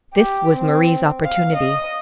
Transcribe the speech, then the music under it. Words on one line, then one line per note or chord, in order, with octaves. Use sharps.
This was Marie's opportunity.
G4
C4
F5
D#5